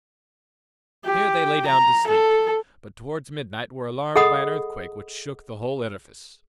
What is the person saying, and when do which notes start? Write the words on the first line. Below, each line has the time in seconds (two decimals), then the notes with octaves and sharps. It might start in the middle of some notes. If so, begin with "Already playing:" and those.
Here they lay down to sleep, but towards midnight were alarmed by an earthquake which shook the whole edifice.
1.05 G4
1.67 A#5
2.07 A4
4.16 G#4 A4 D#5 F#5 B5 D#6